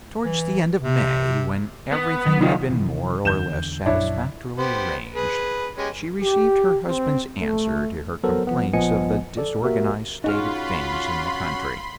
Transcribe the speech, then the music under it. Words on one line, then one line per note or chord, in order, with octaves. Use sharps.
Towards the end of May, when everything had been more or less satisfactorily arranged, she received her husband's answer to her complaints of the disorganized state of things in the country.
E3
C3
B3
D#3 F#3
A#2 D#3 D#4 F4
C3 E3
E2 D3 G6 E7
A#1 F#2 D4 E4 C#5
B3 G4 C5
G#4 B4
G#3 C#4 G4
G4
C4
A3
F#3 B3 A4 A#4 C5
F3 B3
A#1 F3 B3 D#5 G#5 C#7
A4 D5
A#3 F#4 G4 A#4 E5
C#4 D#4 F4 F#4 G#4 B5 C6 F6